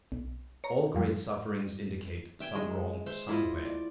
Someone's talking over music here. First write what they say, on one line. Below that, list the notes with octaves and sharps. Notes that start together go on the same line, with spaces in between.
All great sufferings indicate some wrong somewhere.
B1
C#5 A#5
F#2 F3 G3
E5 G5 G#5
G#3
C5 E5
E4 F4 D#5
D5